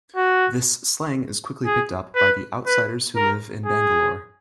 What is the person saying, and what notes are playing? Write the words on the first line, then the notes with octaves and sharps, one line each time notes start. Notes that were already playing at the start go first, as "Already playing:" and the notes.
This slang is quickly picked up by the outsiders who live in Bangalore.
F#4
G#4
B4
B4
A#4
G#4